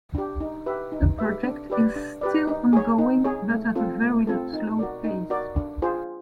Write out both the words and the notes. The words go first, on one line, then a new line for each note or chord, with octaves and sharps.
The project is still ongoing but at a very slow pace.
D4 G4
D#4
G4 B4 E5
D#4
G4 B4 E5
D4
G4 B4 D5
D4
G4 B4 D5
D#4
G#4 C#5
D#4
G#4 C#5
A3
C4 F4 A4
A3
C4 F4 A4
D#4
F#4 A#4 D5
D#4
F#4 A#4 D5
D4
F4 G#4 C5